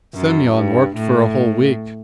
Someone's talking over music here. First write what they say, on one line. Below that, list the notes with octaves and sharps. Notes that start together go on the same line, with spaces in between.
Semyon worked for a whole week.
F#2
G2
A2